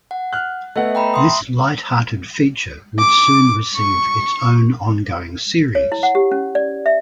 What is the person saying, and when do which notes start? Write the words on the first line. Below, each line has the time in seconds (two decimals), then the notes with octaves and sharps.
This lighthearted feature would soon receive its own ongoing series.
0.11 F#5
0.33 F6 F#6
0.76 A3 B3 D#5 E5 F#5
0.95 G5 A#5 B5
1.14 E5 C6 D#6
2.99 D6
3.77 C#6
5.75 C#5
5.92 E4
6.03 F#5
6.15 G4
6.32 C#4
6.55 D5
6.86 E5